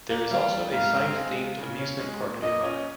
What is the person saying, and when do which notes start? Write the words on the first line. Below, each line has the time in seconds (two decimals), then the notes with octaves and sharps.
There is also a science-themed amusement park nearby.
0.10 A#3
0.31 G3 F5
0.52 F4
0.73 G#2 F5
0.94 C4
1.15 G#3
1.37 F4
1.58 C#3
1.79 C#4
2.00 G#3
2.21 A#2
2.42 A#2 D#5
2.64 C#4